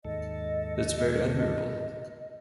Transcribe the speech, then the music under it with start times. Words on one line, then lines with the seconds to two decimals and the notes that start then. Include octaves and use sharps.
That's very admirable.
0.05 D#2 G#2 A4 D#5